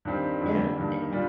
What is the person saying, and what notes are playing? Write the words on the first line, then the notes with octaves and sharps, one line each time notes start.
Yeah, y yeah,
G2 D#3 G3 C4
F2 D3 G3
G2 D#3 G3 A#3
A#2 G3 D4 F4